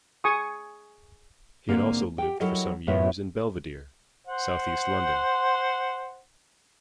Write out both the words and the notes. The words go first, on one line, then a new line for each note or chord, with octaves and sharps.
He had also lived for some years in Belvedere, South East London.
G#4 G#5 C#6 D#6
G#2 D3 A#3 C4
G4 G5
F#3 E4 A4 A#4 D#5
F#2 A2 B3 E4 F4 E5
C5 F#5